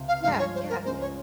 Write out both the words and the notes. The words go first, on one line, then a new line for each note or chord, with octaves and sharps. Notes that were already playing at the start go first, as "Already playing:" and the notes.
Yeah, yeah.
Already playing: C#2 C3
F5
G2 F3 G#3 F5
C#5
C5
A#4
C#2 C#3 G#3 C#4 C5
C#5